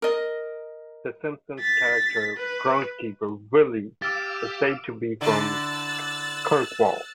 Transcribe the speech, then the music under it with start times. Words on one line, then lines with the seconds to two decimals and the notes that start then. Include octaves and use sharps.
"The Simpsons" character Groundskeeper Willie is said to be from Kirkwall.
0.02 A#4 D#5
1.60 A6 B6
2.37 B4
4.02 G4 F5 D6 E6 A6
5.21 D3 E4 E6 F#6 A6